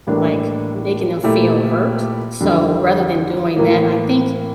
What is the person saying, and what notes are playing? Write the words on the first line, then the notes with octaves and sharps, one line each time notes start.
like, making them feel hurt, so rather than doing that, I think
A2 E3 G3 A#3 D4
A#2 A3 E4 G4
F2 D3 G3 D4
A2 E3 A#3